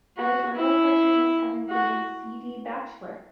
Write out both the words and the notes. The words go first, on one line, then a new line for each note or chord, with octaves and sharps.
Editorial cartoonists have included C. D. Batchelor.
F#4
E4
F#4